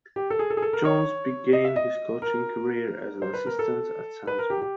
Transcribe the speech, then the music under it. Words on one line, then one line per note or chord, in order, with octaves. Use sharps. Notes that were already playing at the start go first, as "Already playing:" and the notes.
Jones began his coaching career as an assistant at Southern.
G4
A4
G#4
A4
G#4
A4
A#4
C#5
D#5
E5
D#5
A#4
C5
B4
A#4
A4
B4
A#4
G4
G4